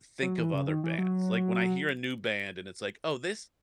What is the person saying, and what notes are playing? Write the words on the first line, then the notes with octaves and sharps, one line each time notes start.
think of other bands, like, when I hear a new band, and it's like, "Oh, this
F#3
E3
C#3
D#3
E3
F#3